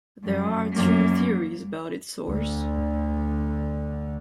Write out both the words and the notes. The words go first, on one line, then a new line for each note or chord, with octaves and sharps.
There are two theories about its source.
F#2
F#2 A#3
D2 D3